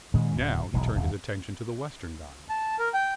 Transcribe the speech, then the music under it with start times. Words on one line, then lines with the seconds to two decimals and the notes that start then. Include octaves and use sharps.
Now he turned his attention to the western dial.
0.14 A#2 D#3 G#3 C#4
0.36 D1
0.73 E1 B1 E2 A#2
0.95 D#1 F2
2.50 A5
2.79 A#4
2.94 G5